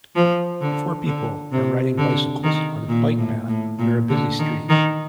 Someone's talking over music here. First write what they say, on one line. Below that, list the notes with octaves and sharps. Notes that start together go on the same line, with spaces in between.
Four people are riding bicycles on a bike path near a busy street.
F3
D3
D3
C3
D3
D#3
A#2
A2
A2
A#2
D3
D#3
D#3